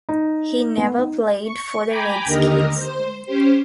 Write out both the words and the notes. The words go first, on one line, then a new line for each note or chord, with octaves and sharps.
He never played for the Redskins.
D#4
B3
D#4
C#6
G5 G#5 A#5 B5 D6
D#2 D3 G4 A#4 D#5 A#5
C5
C#4 G4 C5